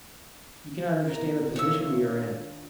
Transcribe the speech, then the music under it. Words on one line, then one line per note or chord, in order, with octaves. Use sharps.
You cannot understand the position we are in.
B3 E4 A#4
D#3 D4 F4 C#5 E6